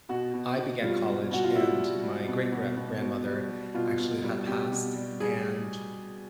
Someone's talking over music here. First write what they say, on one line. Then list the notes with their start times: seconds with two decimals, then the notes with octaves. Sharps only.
I began college and my great gra grandmother actually had passed, and
0.09 B2 F#4
0.34 B2
0.58 B2
0.82 G3 F4
1.06 B2
1.30 B2 F#4
1.44 F4
1.55 G3 E4
1.80 G3
2.04 G3
2.28 B2
2.52 B2
2.77 B2
3.01 B2
3.25 G3
3.49 G3
3.74 B2 F4
3.99 B2
4.23 G3
4.47 B2 G4
4.72 B2
4.95 G3
5.20 G3 G#4